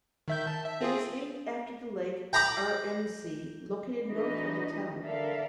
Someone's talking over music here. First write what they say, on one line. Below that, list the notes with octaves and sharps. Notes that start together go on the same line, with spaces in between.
It is named after the lake Arendsee, located north of the town.
D#3 E5 G6
A5
E5
C4 F4 G#4
G5 A#5 B5 D6
E3 D4 D#4 F#4 B4 D#5
D3 A4 A#4 D5 E5 F5